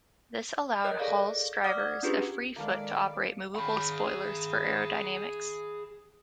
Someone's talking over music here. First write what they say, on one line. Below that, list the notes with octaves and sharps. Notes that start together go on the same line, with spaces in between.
This allowed Hall's drivers a free foot to operate moveable spoilers for aerodynamics.
A#4 C#5 D#5 F#6 G6
G#4 A4 D5 F5
D5 F#5 D6 D#6 F6
G#6
C#4 D4 F4 G4 G#4 B4
D#3 G#3 A#3 A4 D5 F5
G#4 B5